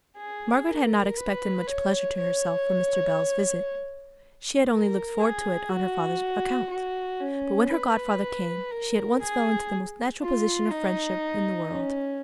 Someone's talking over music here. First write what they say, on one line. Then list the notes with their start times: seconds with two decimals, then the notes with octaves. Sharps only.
Margaret had not expected much pleasure to herself from Mr. Bell's visit--she had only looked forward to it on her father's account, but when her godfather came, she at once fell into the most natural position of friendship in the world.
0.17 G#4
0.68 A#4
1.17 B4
1.68 C#5
2.17 C#5
4.70 A#4
5.20 G#4
5.69 F#4
6.70 F#4
7.20 C#4
7.70 B4
8.71 A#4
9.21 G#4
10.22 F4
10.71 D#4
11.72 C#4